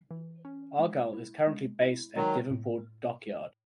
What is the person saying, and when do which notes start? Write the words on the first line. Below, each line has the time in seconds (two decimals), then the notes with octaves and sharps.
"Argyll" is currently based at Devonport Dockyard.
0.11 E3
0.45 C#4
0.79 G#3
1.13 E4
1.47 G#3
1.81 E4
2.16 D#3 F#3 G#3
2.51 A2